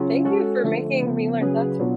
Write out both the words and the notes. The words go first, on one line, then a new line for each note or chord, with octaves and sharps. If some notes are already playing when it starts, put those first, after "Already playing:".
Thank you for making me learn that's a
Already playing: C#3 F#3 C#4 F4
G#3 C#4 F#4 A4
D3 F3 A3
C#3 F3 B3
C#3 F#3 C#4 G#4 B4
B2 F#3 B3 D4 F4